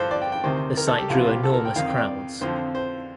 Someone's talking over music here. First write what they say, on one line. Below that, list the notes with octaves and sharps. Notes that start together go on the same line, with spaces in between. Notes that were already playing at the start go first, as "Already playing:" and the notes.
The site drew enormous crowds.
Already playing: G2 F3 A4 C5
D5
G5
G5
D2 C3 D#3 C5
A#4
A4
G4
C2 C3 F3 F4
G4
A4
A#4
G5
F2 D#3 F5
G5
D5
F2 D3 F3 C5
C5